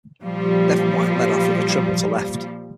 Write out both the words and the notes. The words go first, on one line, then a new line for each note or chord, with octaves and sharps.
Devon White led off with a triple to left.
A#2 F3 G3